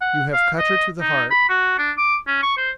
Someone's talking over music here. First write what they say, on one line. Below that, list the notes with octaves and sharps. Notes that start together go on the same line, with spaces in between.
"You have cut her to the heart."
F#5
F5
D#5
D#4
B5
F#4
D4
D6
C#4
C#6
C5